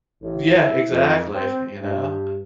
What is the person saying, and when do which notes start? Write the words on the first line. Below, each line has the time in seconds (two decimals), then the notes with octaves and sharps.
Yeah, exactly, you know?
0.21 A1
0.58 E4
0.89 F2
1.32 C4
1.79 G2